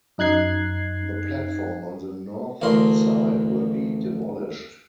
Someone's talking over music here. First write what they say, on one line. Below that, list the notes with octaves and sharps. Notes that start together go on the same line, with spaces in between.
The platform on the north side will be demolished.
F#2 D#4 F#6 G#6 C7
A1 D2 D4 A#4 C6